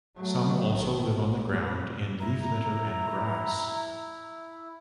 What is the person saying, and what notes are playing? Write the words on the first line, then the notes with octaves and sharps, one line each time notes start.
Some also live on the ground in leaf litter and grass.
F#3 A3
A#1 D#3
A#2
E4 A#5